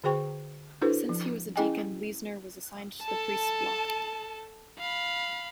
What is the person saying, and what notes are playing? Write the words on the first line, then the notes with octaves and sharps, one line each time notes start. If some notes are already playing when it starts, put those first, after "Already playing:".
Since he was a deacon, Leisner was assigned to the priests' block.
D3 F#4 G#4 C5 G5 C#6
D4 E4 F#4 A4 B4 C5
F3
C#4 E4 G#4 D#5 G5 G#5
A4 A5
F5 B5